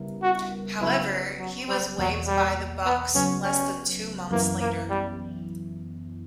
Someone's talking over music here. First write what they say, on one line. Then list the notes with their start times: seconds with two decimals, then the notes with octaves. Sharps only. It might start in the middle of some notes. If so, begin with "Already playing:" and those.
However, he was waived by the Bucks less than two months later.
Already playing: C#3 G3 B3 E4 A#4
0.23 F#4
0.81 C#3 F#3 B3 E4
1.40 F#3
1.68 G3
1.98 E2 B2 F#3 A#3
2.27 G3
2.86 B3
3.15 C#3 F#3 B3 C#4
3.44 C#4
4.31 F#2 E3 A#3 B3 E4
4.61 A#3
4.90 G3